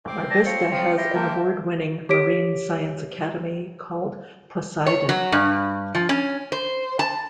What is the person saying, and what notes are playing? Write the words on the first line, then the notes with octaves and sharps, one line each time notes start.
Mar Vista has an award-winning Marine Science Academy called Poseidon.
C4 D6
D5 A5 A#6
F3 C#5 C#7
F3 C4
E4 F4 G4 C6 A#6
A#3 A#4 C5 A5
G4 C#5 B6 D7
C#5
F#3
G2
F3
C#4
C5
A5